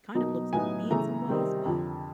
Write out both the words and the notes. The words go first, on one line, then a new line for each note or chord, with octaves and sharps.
kind of looks up to me in some ways, but
B2 F#3 A#3 D#4
A2 F#3 B3 D#4 G#5
C#3 E3 A3 A#5
C3 D#3 G3 C4 D#4
F2 D3 F3